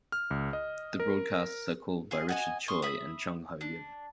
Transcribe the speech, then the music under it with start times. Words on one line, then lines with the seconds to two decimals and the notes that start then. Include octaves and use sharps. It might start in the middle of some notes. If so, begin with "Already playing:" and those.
The broadcasts are called by Richard Choi and Chong Ho Yim.
0.12 F6
0.31 C#2
0.53 D#5
1.00 A#4
2.11 F4 G#4 D#5
2.29 F#4 D#5 G#5
2.68 C6 C#6 D#6 F6
2.82 E5 B5 D#6
3.61 D4